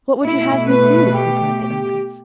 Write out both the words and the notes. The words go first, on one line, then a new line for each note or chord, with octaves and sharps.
"What would you have me do?" replied the ogress.
B2 A3 E4
B4
G4
G4